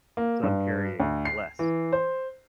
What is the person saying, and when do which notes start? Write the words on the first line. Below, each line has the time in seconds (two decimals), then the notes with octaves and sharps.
so I'm carrying less,
0.17 A#3
0.43 G2
1.00 D2
1.25 C7
1.59 E3
1.92 C5